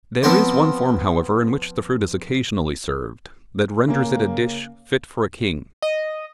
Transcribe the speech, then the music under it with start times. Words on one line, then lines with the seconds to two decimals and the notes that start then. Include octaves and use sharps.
There is one form, however, in which the fruit is occasionally served, that renders it a dish fit for a king.
0.23 F3 B3 C4 C5 C#5
3.88 C#3 A#3
5.82 D#5